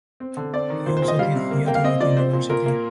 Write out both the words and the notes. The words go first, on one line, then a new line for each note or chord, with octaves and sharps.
He also did theatre at University.
C4
D3
C4 D5
D#3
A#2 C5
C5
A#2
D#5
G3 F5
C3
A#3
A#3 G5
F5
C4 D#5
F3 D5
C4 C5
A#2
A#2 A#4
A#3